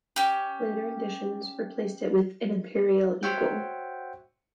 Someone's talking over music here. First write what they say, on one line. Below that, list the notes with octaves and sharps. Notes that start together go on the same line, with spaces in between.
Later editions replaced it with an Imperial eagle.
C#4 G4
F#4 C5 C#5 E5 F#5 G5